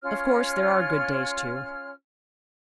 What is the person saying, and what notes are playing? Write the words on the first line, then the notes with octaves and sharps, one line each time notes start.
Of course there are good days, too.
C#4 F4 C#5 F6